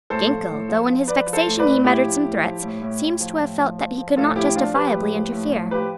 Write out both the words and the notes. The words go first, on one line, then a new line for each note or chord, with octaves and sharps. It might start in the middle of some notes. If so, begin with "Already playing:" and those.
Ginkell, though in his vexation he muttered some threats, seems to have felt that he could not justifiably interfere.
A2 A4 C5
F3
A2
F3
F3
F3 B4 D5
F3
A4 C5
A2
B4 D5
A2
A2 E4 G4
F3
A2
F3
A2
A2
A2
F3
A2
F3
F3
F3
A2 F4 A4
F3 E4 G4
F3 D4 F4
F3 G4 B4
A2
F3
A2
F3
F3 G4 B4